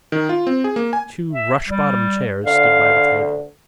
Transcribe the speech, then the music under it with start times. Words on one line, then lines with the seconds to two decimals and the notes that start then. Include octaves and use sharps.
Two rush-bottom chairs stood by the table.
0.12 D#3
0.29 F4
0.47 C4
0.64 G#4
0.76 A#3
0.93 G#5
1.33 E5
1.68 G3
2.46 D3 F5